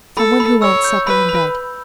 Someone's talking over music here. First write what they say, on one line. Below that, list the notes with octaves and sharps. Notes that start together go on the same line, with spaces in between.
"Some one who wants supper and bed."
A4 B5
B5
C#5 E6
G6
B4 B5
B5